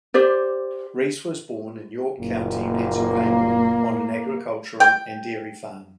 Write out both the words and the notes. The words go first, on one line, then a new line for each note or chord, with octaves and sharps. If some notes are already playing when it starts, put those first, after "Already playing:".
Reese was born in York County, Pennsylvania on an agricultural and dairy farm.
G4 C5 D5
F#1 A#2
A#3
G5